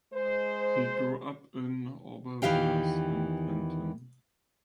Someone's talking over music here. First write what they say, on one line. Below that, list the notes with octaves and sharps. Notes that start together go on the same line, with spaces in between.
He grew up in Aubervilliers and Pantin.
G#3 C5
E2 D#3 E3 G4 F5 G5